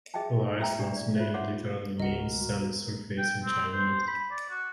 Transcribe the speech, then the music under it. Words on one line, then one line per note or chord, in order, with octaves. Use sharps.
The island's name literally means "sandy surface" in Chinese.
G#4 D#5 E5 G5 A5
E4 E5 G5 A#5
D4 G4 D5
D5
F4 C5 C#5 E5
C#5 E5 F#5 C6 D6
C#2 F#4 A#4 D#5 F#5
G5
C4
C5
B5
D5
F#4